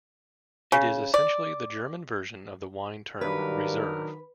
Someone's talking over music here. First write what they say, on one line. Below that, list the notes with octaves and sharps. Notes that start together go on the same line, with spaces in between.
It is essentially the German version of the wine term Reserve.
C#3
D5
G2 D#3 F#3 D4 A#4 B4